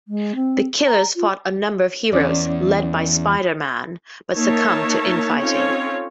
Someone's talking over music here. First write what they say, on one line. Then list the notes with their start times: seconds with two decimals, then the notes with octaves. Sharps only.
The killers fought a number of heroes, led by Spider-Man, but succumbed to in-fighting.
0.08 G#3
0.35 C4
0.87 A#5
1.16 F4
2.13 E2 C#4 D5
4.36 A#3 D#4 A#4 C#5 E5 A5
5.40 C4 C#4 D#4 F4 A4 C#5